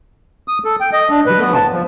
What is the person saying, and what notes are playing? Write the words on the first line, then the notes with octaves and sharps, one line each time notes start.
You know how
D#6
A4
G5
D#5
D4
B4
B3
A5
F3